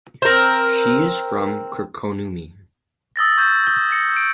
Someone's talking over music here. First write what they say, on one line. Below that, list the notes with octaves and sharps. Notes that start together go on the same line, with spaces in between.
She is from Kirkkonummi.
C4 A#4
D#6 E6 A6 A#6
C#6 G6 G#6
G6 G7
G#6 A#6 C#7
D7